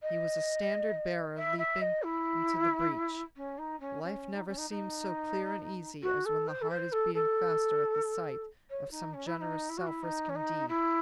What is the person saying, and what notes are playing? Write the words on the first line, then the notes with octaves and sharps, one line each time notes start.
He was a standard-bearer leaping into the breach. Life never seems so clear and easy as when the heart is beating faster at the sight of some generous self-risking deed.
D#5
E5
E5
D#5
E4
C#4
D#4
C#4
C#4
D#4
C#4
D#4
D#4
F#4
A4
C5
A4
C5
A4
A4
C#5
D#4
C#4
E4
E4
D#4
E4
F#4
E4
D#4
C#4
D#4
E4